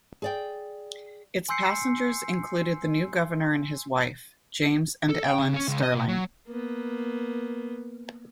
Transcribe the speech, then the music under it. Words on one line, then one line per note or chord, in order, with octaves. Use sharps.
Its passengers included the new Governor and his wife, James and Ellen Stirling.
G#4 D5 G5
G#5 C6 E6 G6 C7 C#7
A4
G5
C#3
C#4
C#2
D#5
B2
F#3
A#3 B3